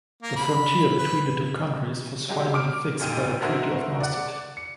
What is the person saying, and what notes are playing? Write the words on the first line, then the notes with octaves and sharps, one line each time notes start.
The frontier between the two countries was finally fixed by the Treaty of Maastricht.
A#3
B5
B4
F#3 G#3 G4
D6 F6 D7
F1 A#2 D#4 G4 D#7
D4 D#4 F#4 A#4 C5 E5
D5 F#5
C#7